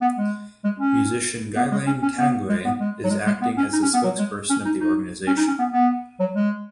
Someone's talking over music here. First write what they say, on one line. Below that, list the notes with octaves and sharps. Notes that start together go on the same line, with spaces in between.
Musician Guylaine Tanguay is acting as the spokesperson of the organization.
B3
G#3
G#3
C#4
B3
G#3
C#4
C#4
B3
G#3
B3
G#3
F#3
G#3
G#3
B3
C#4
D#4
C#4
B3
F#3
G#3
C#4
D#4
D#4
C#4
D#4
C#4
B3
B3
F#3
G#3